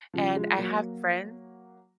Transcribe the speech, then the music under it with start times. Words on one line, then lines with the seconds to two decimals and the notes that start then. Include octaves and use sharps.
and I have friends
0.14 C#3 F3
0.36 F3 G#3
0.58 F#3 A#3